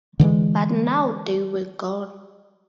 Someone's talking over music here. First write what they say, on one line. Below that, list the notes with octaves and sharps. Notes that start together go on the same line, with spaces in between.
But now they were gone.
D3 E3 G3 G#3